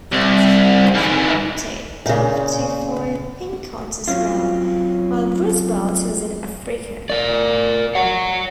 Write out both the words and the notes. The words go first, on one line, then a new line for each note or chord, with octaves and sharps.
This prompted Taft to fire Pinchot as well, while Roosevelt was in Africa.
C2
G#2 E3
A#2 C#3
F#3 C4 C#4 F4
A#4 D5
C#5 F#5